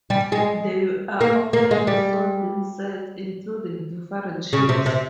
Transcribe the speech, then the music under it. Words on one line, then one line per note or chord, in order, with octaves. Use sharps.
They are often sold in sets, including different shapes.
G3
G#3
A#3
A#3
G#3
G3
C#3
C3
C3